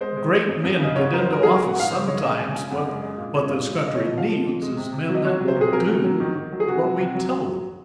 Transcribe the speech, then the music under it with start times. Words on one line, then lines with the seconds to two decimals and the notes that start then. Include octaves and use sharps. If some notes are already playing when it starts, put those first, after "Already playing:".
Great men get into office sometimes, but what this country needs is men that will do what we tell them to do.
0.01 G#3 C5
0.17 G#3
0.32 G#3
0.48 F#2
0.64 F#2
0.79 C#3 D#5
0.96 G#2 C#5
1.12 G#2 A#4
1.19 C5
1.27 F#3
1.32 A#4
1.43 F#3 G#4
1.56 A#4
1.60 F#3
1.67 F#5
1.76 G#2 F5
1.91 C#3 C5
2.07 G#3 C#5
2.23 G#3 D#5
2.39 F#2 G#5
2.55 C#3 G#5
2.70 F#2 F#5
2.87 G#3
3.02 G#3
3.18 A#2
3.34 G#3 C#5
3.50 A#2
3.66 G#3
3.82 C#3
3.87 D#5
3.94 C#5
3.98 F3
4.05 D#5
4.13 F3 F5
4.29 F3
4.46 F2
4.62 G#3
4.77 C3
4.92 C3
5.09 F#3
5.15 D#5
5.25 F#3 C#5
5.41 F#3
5.48 C5
5.56 C3 G#4
5.72 F#3 A#4
5.88 F#3
6.04 F#3
6.20 D#3
6.36 D#3
6.52 F#3
6.60 G#4
6.68 C3 F#4
6.84 F#3
6.99 C3
7.15 F#3
7.31 F#3
7.47 F#3